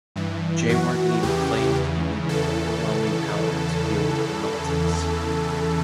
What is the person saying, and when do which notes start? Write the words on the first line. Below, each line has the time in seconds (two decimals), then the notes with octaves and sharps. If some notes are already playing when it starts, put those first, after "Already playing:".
Jayewardene claimed he needed overwhelming power to deal with the militants.
0.16 G2 E3
0.69 F#2 E3 F#4
1.23 E2 C#3 E3 G4
1.76 E2 C#3 E3
2.29 E2 C#3 E3 A4